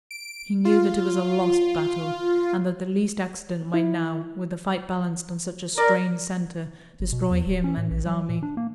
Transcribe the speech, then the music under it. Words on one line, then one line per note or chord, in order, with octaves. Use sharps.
He knew that it was a lost battle and that the least accident might now--with the fight balanced on such a strained center--destroy him and his army.
D7
F4
E4
A#4 D5
G1
B2
E2
D#1
C#4
A2
A#1
F#3
A#2
D4
A#3